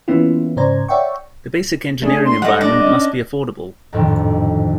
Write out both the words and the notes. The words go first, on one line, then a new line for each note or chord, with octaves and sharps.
The basic engineering environment must be affordable.
E3 A#3 B3 C#4 E4 F4
G#2 C#3 C5 D5 A#5 G#6
C#5 D5 E5 F#5 G5 C#6
A3 D4 G#4
C6
G3 A3 D#5 F#5
D4
C#4
G#1 F2 A2 D3 D#3 G3